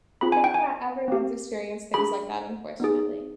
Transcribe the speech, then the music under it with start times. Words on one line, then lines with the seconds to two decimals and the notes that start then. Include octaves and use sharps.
I think that everyone's experienced things like that, unfortunately.
0.21 C4 F4 G#4 B5
0.32 G#5
0.44 G5
0.54 G#5
1.08 C4 G4
1.94 D4 G#4 B5
2.80 B3 D#4 G#4